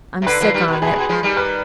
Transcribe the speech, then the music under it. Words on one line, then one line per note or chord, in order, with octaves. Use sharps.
'I'm sick on it.
C3
D3 B4
D3 F3
D#3 G3
B2
B2 G#4
C3
B2
F3 G#3
D#3 G3
B4